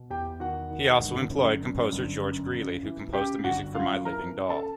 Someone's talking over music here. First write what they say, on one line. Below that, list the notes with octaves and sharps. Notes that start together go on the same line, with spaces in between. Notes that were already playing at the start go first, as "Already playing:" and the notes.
He also employed composer George Greeley who composed the music for "My Living Doll".
Already playing: B2
E2 G4 G5
D#3 F#4 F#5
D#3
G1
F#2
F#2
G1
F#2
C#3
E3
C#3 G4 G5
G1 F#4 F#5
F#2 F4 F5
E3 A#4 A#5
C#3
A4 A5